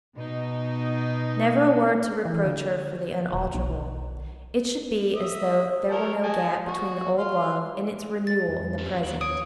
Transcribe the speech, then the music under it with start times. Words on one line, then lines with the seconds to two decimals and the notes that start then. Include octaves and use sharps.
Never a word to reproach her for the unalterable; it should be as though there were no gap between the old love and its renewal in the present.
0.17 B2 D#4
2.26 E3
2.45 D3
3.33 D#1
3.54 B1
5.16 E5 D#6
5.90 A4 A#4 C#5
6.23 D#5 G#5 A5
6.68 F#4
7.18 F5 C6
8.27 A6
8.48 F2
8.78 C#4 G4
9.03 D#2 G3 F#4 F#7
9.21 C#5 D#6 D7